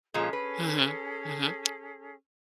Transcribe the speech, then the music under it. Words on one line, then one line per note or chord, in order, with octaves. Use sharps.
Mhm. Mhm.
A#2 F3 G#3 C#4 G#4 A4
B4